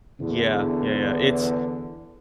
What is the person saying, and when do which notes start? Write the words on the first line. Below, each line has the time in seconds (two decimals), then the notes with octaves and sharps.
Yeah. Yeah, yeah. It's
0.21 E2 D3